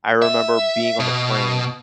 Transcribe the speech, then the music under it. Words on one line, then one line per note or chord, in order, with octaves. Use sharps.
I remember being on the plane,
E5
B2